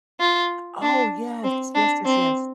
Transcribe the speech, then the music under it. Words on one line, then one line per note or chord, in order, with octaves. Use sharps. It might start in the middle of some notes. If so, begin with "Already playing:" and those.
Oh, yes yes yes yes.
F4
D4
C4
D4
C4